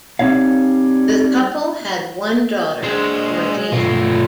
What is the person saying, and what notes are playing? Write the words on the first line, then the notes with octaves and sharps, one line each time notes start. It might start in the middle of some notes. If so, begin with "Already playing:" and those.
The couple had one daughter, Georgiana.
G3 C4 D#4 C#5 F5
G#3 D4 C5
B1 G2 A3 F4